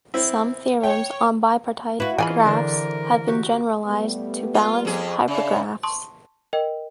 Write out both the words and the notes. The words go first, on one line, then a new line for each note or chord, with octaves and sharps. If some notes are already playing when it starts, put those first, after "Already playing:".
Some theorems on bipartite graphs have been generalized to balanced hypergraphs.
C4 E4
C#5 G5
E4 F#4 B4
E3 F4 G#4 A#4 D#5 G5 G#5 B5
D3 D4 A#4 C5
F#4 G4
G3 A3 B3
F4
F2 G#4
C#3 D4 D5 E5
A5 C6 C#6 D#6
A#4 D#5 G5